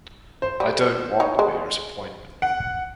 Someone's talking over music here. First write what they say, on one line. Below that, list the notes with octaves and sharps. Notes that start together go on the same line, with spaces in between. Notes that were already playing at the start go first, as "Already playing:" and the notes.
I don't want the mayor's appointment.
C5
G3
D#4 C#5
G#3
F#5